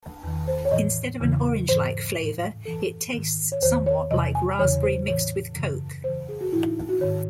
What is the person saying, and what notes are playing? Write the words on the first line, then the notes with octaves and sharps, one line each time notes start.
Instead of an orange-like flavour it tastes somewhat like raspberry mixed with coke.
E2 D#3
C5
C#5
A2 E3 D#5
E2 C#3 E3
G#2 E3 C5
A2 E3
F#2 E3 A4
G#2 D#3
C#5
E2 D#3 C5
C#5
E2 C3 E3 D#5
G#5
E2 C#3 E3 C#5
C5
A2 E3 C#5
F#2 C#3 E3
E2 C#3 E3 C5
G#4
F#4
A2 E3 E4
D#4
F#4
G#2 D#3 C#5